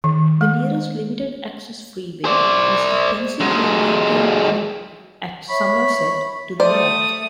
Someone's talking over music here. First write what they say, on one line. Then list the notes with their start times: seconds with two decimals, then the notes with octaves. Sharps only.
The nearest limited-access freeway is the Pennsylvania Turnpike at Somerset, to the north.
0.04 D#3
0.41 G#3
2.25 C5 D5
3.40 F#3 G#3
5.49 C#5 E5 B5 C#6
6.60 A3 C5 D5 D#6